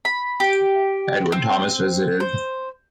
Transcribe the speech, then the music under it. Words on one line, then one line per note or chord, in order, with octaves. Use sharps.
Edward Thomas visited.
B5
G4
C4
C5